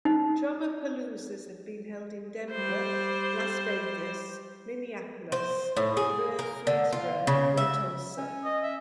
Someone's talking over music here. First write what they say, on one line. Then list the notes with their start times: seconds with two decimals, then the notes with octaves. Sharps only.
TromaPaloozas have been held in Denver, Las Vegas, Minneapolis, Murfreesboro, and Tulsa.
0.05 D#4
2.51 G3 C5
5.32 C5
5.77 A2
5.97 G#4
6.39 A#4
6.67 D3
6.93 F4
7.27 C#3
7.57 E5
8.18 C#4
8.44 D#5
8.63 E5